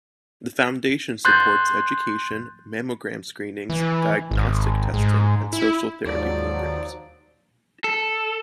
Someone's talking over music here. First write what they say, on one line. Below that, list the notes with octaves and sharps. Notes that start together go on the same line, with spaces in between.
The Foundation supports education, mammogram screenings, diagnostic testing and social therapy programs.
C6 F#6 G6 A6
E3
G#1
G#2
E4
D#2 G#2 F3 F#3 D5
A4